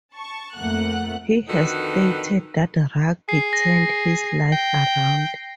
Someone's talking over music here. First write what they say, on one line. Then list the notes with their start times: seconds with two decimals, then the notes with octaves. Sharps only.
He has stated that rugby turned his life around.
0.14 A5 C#6
0.56 F2 A3 A#3 F#5 F#6
1.48 F2 D3 D#3 D#4 F#4 B4
3.29 G#4 C7
3.53 A#6
4.52 G5